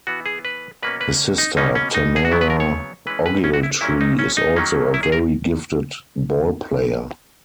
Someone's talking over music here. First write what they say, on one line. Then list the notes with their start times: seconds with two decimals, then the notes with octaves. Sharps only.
His sister Tamara Ogiltree is also a very gifted ball player.
0.07 E3 B3 F#4
0.26 G#4
0.45 B4
0.82 B2 A#3 C#4 B4
1.01 B4
1.38 D#4
1.57 B2 A#3 C#4 D#4
1.75 C#4
1.94 D#4
2.16 G#4
2.25 F#4
2.31 C#3 F#3 B3 E4
2.41 B4
2.50 A#4
2.60 C#5
3.07 E3 G#3 C#4 B4
3.26 B4
3.44 C#4
3.54 F#4
3.63 E4
3.81 A#2 F#3 A#3 C#4 E4
4.01 D#4
4.19 C#4
4.37 D#4
4.56 D#3 F#3 A#3 C#4
4.94 E4
5.03 G#4
5.12 A#4